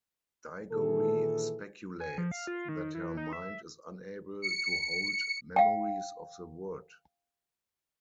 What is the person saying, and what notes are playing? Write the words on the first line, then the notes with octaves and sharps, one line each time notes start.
Digory speculates that her mind is unable to hold memories of the Wood.
A#2 D#3 E3 G#4 A4
G#5
F3
F5
F4
D#3
E3
D#4
E5
C#7
F5 G5